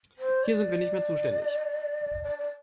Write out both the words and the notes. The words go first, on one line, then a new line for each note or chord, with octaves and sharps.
Hier sind wir nicht mehr zuständig.
C5
D5
D5
D5